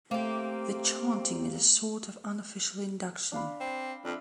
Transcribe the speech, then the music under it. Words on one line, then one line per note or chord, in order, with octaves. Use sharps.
This chanting is a sort of unofficial induction.
A3 A#3 C4 G4
D4 F5 B5
C4
F2 D4 E5